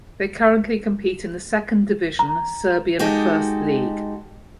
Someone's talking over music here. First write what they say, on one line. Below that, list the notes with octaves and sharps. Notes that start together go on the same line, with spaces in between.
They currently compete in the second division Serbian First League.
A#5
G#3 D#4 F#4 G4 A4